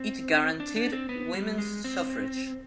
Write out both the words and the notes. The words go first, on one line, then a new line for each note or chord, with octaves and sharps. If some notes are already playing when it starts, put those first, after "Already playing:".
It guaranteed women’s suffrage.
Already playing: C4
D4
D4
C4
B3
G3
G#3
C4